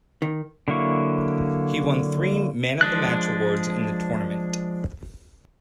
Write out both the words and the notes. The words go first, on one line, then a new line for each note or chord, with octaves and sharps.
He won three Man-of-the-Match awards in the tournament.
D#3
D3 F#3 A#3 E4 C#6
F3 G#3 D4 F#6